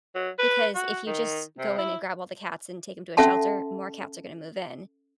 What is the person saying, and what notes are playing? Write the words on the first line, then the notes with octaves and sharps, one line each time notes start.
Because if you just go in and grab all the cats and take 'em to a shelter, more cats are gonna move in.
F#3
B4
F#4
D#3
C3
E4
C#4 A4 E5 F#5 A5 C6